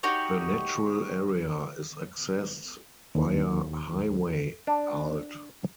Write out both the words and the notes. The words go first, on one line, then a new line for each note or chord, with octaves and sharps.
The natural area is accessed via Highway Alt.
D#4 F#4 G4 C#5
D#2
D4